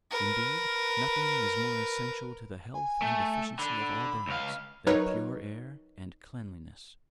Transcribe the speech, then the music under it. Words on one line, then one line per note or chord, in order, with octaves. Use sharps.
Indeed, nothing is more essential to the health and efficiency of all dogs than pure air and cleanliness.
A#4 B4
G#5
A3
D3 B5
C#2 F5
F#3 D#4 A#4 B4 C#5